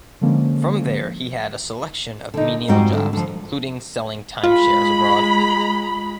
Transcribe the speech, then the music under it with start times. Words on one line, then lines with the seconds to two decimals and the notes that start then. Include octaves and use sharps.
From there he had a selection of menial jobs including selling time shares abroad.
0.21 D3 F3 G#3 A#3 C#4
2.34 D3 D#4
2.68 F2 G#2 G3 F4 F#4 G5
2.93 D3
3.13 D3 F3
4.44 G#3 F4 B5